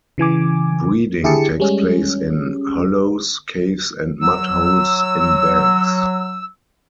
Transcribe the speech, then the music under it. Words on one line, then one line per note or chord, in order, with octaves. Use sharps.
Breeding takes place in hollows, caves and mud holes in banks.
C#3 E3 G#5 D6
D3 E4 G4 G#4 A5 C#7
G3 G#3 C#4
F#3 E6